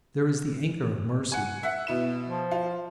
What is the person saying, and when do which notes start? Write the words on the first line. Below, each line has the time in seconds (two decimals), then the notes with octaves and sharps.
There is the anchor of mercy.
1.32 F#5 G#5
1.63 E5 F#5
1.87 B2 E4 E7
2.27 F3
2.51 F4